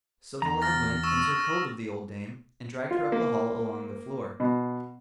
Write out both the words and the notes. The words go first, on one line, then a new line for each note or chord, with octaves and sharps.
So the lad went and took hold of the old dame; and dragged her up the hall along the floor.
E2 A#5
F6 A6 A#6
C#6 E6 E7
F4
A#3
B2